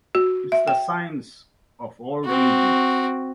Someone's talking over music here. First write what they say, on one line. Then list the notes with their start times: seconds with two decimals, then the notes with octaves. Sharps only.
It's the science of all religions.
0.15 F#4
0.52 E5
0.68 G5
2.25 C4 F#4